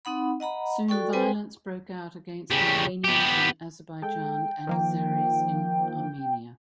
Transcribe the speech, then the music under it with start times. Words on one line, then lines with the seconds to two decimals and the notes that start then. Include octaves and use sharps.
Soon, violence broke out against Armenians in Azerbaijan and Azeris in Armenia.
0.05 C4 D#4 F#5 B5
0.40 D#5 F#5 A#5 B5
0.88 F#4 A4 D5 G5 C#6
1.13 C4 A4 B4 C5 G5 G#5
2.51 C#3 G3
3.04 B3 G4
4.02 G#3 A4 G5
4.67 D#3 F3 A#3